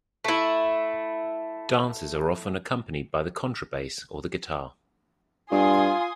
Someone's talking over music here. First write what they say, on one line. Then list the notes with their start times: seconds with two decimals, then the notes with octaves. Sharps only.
Dances are often accompanied by the contrabass or the guitar.
0.24 A3 E4
5.51 G2 F4 G#5 C6 D#6